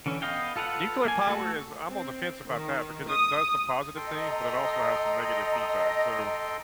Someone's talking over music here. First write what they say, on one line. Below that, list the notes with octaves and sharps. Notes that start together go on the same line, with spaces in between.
Nuclear power is I'm on the fence about that because it does some positive things, but it also has some negative feedback, so
D3 E3 C#4
B3 D#5 F5 G5
F4 A4 B4 F5 F#5
A#3 G#5
A3 F#4 A4
C4
D#3
D#6
A4 D#5 G5 A#5 C6